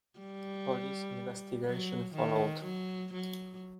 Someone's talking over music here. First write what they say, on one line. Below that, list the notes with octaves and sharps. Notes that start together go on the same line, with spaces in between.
Police investigation followed.
G3
F#3
D#3
F#3
F#3